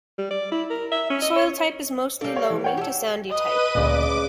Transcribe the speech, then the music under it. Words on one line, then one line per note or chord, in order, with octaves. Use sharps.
Soil type is mostly loamy to sandy type.
G3
D5
E4
A#4
E5
C#4
D#5
C#5
G3 A#3 A4
C#5
E3
C#5 F#5 G5
G4 A4
B4 D#5 D#7
D2 A#2 C#3 D5 D6